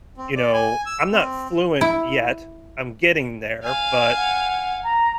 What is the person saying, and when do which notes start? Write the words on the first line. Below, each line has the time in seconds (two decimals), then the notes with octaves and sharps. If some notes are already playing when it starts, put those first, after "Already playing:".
you know, I'm not fluent yet. I'm getting there. But
0.18 C4
0.36 D5
0.53 G#5
0.86 E6
1.13 C4
1.81 E4
3.64 F5 G#5
4.17 F#5
4.83 A#5